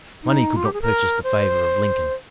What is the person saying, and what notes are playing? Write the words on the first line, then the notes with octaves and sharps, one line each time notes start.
Money could not purchase the favor of Lincoln.
D#4
F4
G4
G#4
A#4
C5